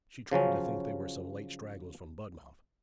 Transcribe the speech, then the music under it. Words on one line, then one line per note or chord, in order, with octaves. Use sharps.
She tried to think they were some late stragglers from Budmouth.
C#3 F3 F#3 C#4